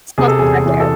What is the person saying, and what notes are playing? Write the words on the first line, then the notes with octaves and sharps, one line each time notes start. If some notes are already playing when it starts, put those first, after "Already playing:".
Smell some fresh air.
C3 G#4
A4
E2 G#4
E3
A4